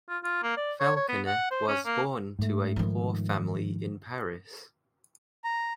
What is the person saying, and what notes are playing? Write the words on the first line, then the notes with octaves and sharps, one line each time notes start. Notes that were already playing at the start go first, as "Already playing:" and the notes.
Falconet was born to a poor family in Paris.
F4
F4
A#3
D5
C#5
C#5
B3
F#5
C5
C#4
A#3
G#2 A3
D#3 F3
A#5